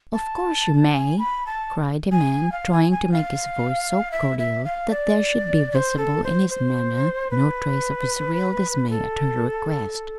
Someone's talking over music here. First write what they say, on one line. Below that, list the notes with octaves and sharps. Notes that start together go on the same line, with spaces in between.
"Of course you may," cried the man, trying to make his voice so cordial that there should be visible in his manner no trace of his real dismay at her request.
A5
G#5
B5
A5
G#5
F5
G#5
G#5
F5
E5
E5
F5
D5
D5
C5
A4
C5
C5
B4
A4